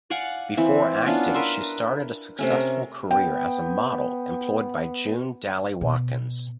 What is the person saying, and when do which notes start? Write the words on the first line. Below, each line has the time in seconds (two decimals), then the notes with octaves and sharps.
Before acting she started a successful career as a model employed by June Dally-Watkins.
0.10 D5 F5 F#5 G#5
0.57 E3 C4
1.06 B3 C#4 D4 F4
1.34 A#4 B4 E5 C6
2.38 C3 A3 C#4
2.51 A#4
3.11 B3 G5
5.81 B2